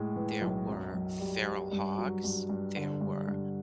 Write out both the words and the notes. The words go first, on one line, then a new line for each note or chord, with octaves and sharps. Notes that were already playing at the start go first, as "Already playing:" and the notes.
there were feral hogs, there were
Already playing: A2 G#3
E3
B1
F#2
F#2
G3
G3
G2
F#3
G2
G2
D3
G2
G2